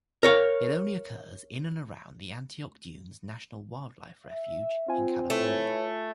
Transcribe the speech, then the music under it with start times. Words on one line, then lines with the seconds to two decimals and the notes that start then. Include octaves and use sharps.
It only occurs in and around the Antioch Dunes National Wildlife Refuge in California.
0.23 A#4 C#5 F5
4.25 E5
4.88 C4 F4 G#5
5.30 A3 E4 B4 C#5